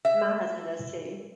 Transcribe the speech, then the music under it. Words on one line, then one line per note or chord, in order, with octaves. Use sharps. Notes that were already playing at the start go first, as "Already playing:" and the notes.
My husband does too.
E5